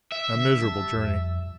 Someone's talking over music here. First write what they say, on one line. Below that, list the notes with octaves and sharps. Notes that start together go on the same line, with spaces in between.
A miserable journey.
E5
D3
G3 A5
F2